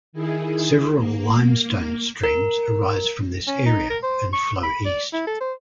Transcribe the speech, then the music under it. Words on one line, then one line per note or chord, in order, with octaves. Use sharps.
Several limestone streams arise from this area and flow east.
D#3 E4 G#4
A#3
A#4
C#4
D#4
A#4
C5
C#6
B5
D5
E4
A4
C5